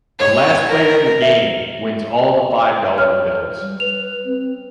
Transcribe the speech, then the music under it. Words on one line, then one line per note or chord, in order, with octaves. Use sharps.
The last player in the game wins all the five dollar bills.
C#5
A#4
E5
B4 C#5 F6
G3
B4 F7
C4